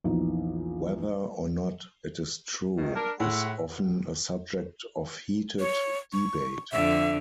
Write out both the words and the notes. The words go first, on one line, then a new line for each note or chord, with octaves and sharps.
Whether or not it is true is often a subject of heated debate.
A#1 E2 D#4
E2 B2 D#3
D4 A#4
A2 G#3 E5 F#5
C#5
C#6
F2 D3 E5